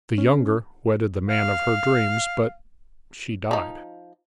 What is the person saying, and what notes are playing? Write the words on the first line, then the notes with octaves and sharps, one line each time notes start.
The younger wedded the man of her dreams, but she died.
C#4
F5
F3 D#4